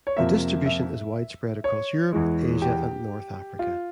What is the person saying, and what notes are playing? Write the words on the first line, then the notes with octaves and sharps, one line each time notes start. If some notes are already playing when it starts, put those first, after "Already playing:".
The distribution is widespread across Europe, Asia and North Africa.
C#5
F2 C3 F3 A#3 E5
E5
C#5
E2 E3 G#3
G4
F4